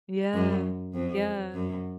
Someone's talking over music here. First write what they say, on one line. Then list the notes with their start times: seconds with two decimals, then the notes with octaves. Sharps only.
Yeah. Yeah.
0.34 F#2
0.94 F2
1.54 F#2